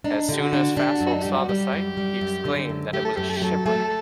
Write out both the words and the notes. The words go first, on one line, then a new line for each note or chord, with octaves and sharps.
As soon as Fasold saw the site, he exclaimed that it was a shipwreck.
D4 D#4
D3 G4
F#4
D4
D4 G4
F#4
F#2
F#4
D#4
G3 G4
F#4
G3 G4
F#2
G3
F#2
D3
F#2
A3 G4
A4
F#2 G4
A4
G4
F#3 A4
A3 A4